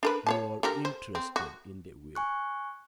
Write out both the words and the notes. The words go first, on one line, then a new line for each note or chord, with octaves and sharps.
"You are interested in the will."
D4 A#4 B4
C#5 F5 A5
D3 G4 A#4
C5
C4
F#4
G#5 C#6 F#6